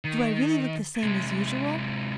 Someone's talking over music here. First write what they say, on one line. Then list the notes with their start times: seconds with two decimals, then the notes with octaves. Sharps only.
Do I really look the same as usual?
0.04 D#3
1.03 C3 G#3